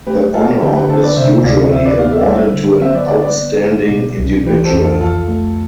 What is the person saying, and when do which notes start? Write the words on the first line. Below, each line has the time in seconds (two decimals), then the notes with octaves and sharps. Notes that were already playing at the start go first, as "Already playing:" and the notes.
The honour is usually awarded to an outstanding individual.
0.07 A3 G4 B4
0.34 A3 F4 A4
0.62 D3 E4 G4
0.76 G4 B4
0.89 D3 A4 C5
1.03 B4 D5
1.16 C3 C5 E5
1.44 D2 D5 F5
1.71 D2 C5 E5
1.85 B4 D5
1.99 B3 D5 F5
2.13 E5
2.21 D5
2.26 G3 C5 E5
2.54 D3
2.81 B3 C5 E5
2.95 B4 D5
3.08 D3 B4 D5
3.22 B4 D5
3.36 B3
3.64 E4
3.91 B2
4.18 C2
4.45 E3 G4 B4
4.64 A4 C5
4.73 F2
4.82 F4 A4
5.01 F2 F4 A4
5.28 A3